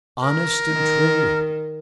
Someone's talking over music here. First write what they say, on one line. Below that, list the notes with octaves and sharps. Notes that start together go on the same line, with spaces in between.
"Honest and true."
A#4
D#3